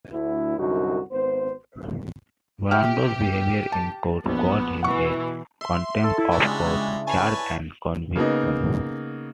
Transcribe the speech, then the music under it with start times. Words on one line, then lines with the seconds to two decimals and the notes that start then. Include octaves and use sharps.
Brando's behavior in court got him a contempt of court charge and conviction.
0.13 D2 E4
0.57 C2 F#2 D3 D#4 F#4
1.12 G#1 B3 C5
2.71 G4 E5 G5 F6
3.72 A5
4.26 A#1 B3
4.83 B2 E3 F#5 C#6
5.61 E5 C6
6.04 A4 C#5 C#6
6.18 E4
6.31 G3 F#4
6.42 C#3 G#3 D4 E4
7.07 B4 C#5 G#5 A5
8.15 C#3 A#3 B3 D#4